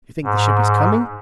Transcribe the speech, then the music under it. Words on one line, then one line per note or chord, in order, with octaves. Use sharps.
"You think the ship is coming?"
G#2